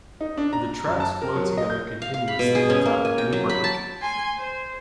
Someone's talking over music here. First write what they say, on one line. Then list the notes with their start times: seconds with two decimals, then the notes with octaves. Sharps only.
The tracks flow together continuously without any break.
0.21 D#4
0.38 D4
0.53 A#5
0.87 F#2
1.00 A5
1.22 A#4
1.35 F#3
1.58 D#5
1.70 G6
2.02 F5
2.14 F5
2.28 B5
2.39 B2
2.55 G#4
2.70 C#4
2.86 A#3
3.05 G#5
3.18 G5
3.33 F#3
3.50 B5
3.64 A5
4.01 G#5 C6
4.37 C5